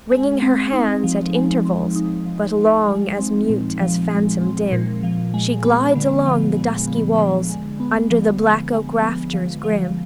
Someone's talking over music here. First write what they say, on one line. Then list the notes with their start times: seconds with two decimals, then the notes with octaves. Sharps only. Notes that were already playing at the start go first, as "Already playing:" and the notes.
Wringing her hands, at intervals-- But long as mute as phantom dim-- She glides along the dusky walls, Under the black oak rafters grim.
0.11 G#3
0.42 C4
0.73 D#4
1.04 F3
1.35 G#3
1.65 C4
1.96 D#4
2.26 F3
2.58 F3
2.88 G#3
3.19 C4
3.50 A#2
3.80 F3
4.11 G#3
4.41 C4
4.72 A#2
5.03 F3
5.34 G#3
5.65 B3
5.95 D3
6.26 F3
6.57 G#3
6.87 B3
7.18 D3
7.49 G#3
7.80 B3
8.10 F3
8.41 F3
8.72 G#3
9.02 B3
9.33 F3
9.63 F3